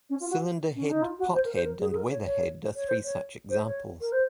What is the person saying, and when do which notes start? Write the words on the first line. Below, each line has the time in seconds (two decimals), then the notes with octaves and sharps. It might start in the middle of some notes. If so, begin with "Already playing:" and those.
Cylinder head, pothead, and weatherhead are three such examples.
0.09 C#4
0.20 F4
0.30 F#4
0.75 C#4
0.89 D#4
1.02 F4
1.18 F#4
1.34 C5
1.44 A#4
1.54 C5
1.64 A#4
1.80 G#4
1.91 G#4
1.95 A#4
2.10 C#5
2.26 C#5
2.76 C#5
2.88 C5
3.04 C#5
3.49 C5
3.65 C#5
4.00 A#4
4.12 C5